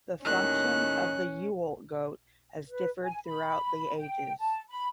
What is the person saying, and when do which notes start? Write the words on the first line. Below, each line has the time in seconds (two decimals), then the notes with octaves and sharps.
The function of the Yule goat has differed throughout the ages.
0.25 D#2 A2 D#3 C#4 F#6
2.67 B4
3.03 G#5
3.26 B5
3.97 G5
4.39 A5
4.71 B5